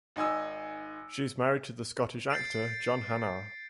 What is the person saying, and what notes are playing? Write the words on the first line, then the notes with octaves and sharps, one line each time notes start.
She is married to the Scottish actor John Hannah.
G#1 D#4 G#5 D#6 E6
G6 A6 C7 D7